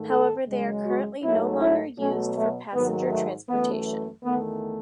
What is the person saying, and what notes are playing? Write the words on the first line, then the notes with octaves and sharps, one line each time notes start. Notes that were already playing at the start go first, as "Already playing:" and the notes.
However, they are currently no longer used for passenger transportation.
Already playing: G#2 D#3 A3
A4
F#2 C#3 G#3
F#4
G#2 F#3 A3 E4
E4
B2 F#3 A3 C#4
A3
G#2 D#3 F#3 B3
A3
F#2 E3 A3 B3
E2 D#3 A3 B3